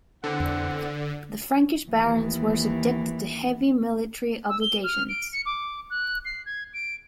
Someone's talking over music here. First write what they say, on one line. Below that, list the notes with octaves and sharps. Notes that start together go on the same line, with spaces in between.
The Frankish barons were subjected to heavy military obligations.
E2 D3 C4 F#5
D#2 E3
E6
G7
F6
D7
C#7
D6
F#6
C7
G#6
D7